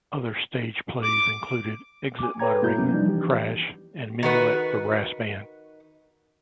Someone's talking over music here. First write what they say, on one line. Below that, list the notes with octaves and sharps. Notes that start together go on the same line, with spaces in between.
Other stage plays included "Exit Muttering", "Crash", and "Minuet for Brass Band".
D6
G#5 D6
A4 B4 C#5 G5 A#5 G#6
G2 B2 A#3 E4 F#4 G6
F2 C3 F#3 A#3 B3 C#4
F3 G3 D4 D#4
E3 G4
D#3 F#4 B4